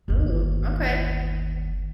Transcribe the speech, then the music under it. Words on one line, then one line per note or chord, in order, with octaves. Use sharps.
Ooh, okay.
G1 D#2